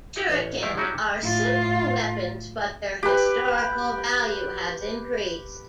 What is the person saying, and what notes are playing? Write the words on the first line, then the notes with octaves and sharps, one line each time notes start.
Shuriken are simple weapons, but their historical value has increased.
D#4 E4 F#5
A1 C#5
E2 F3 A3 E4 F5 G5
F#3 G3 C#4 D#4 E4 F#4
A2 F4
G4 B4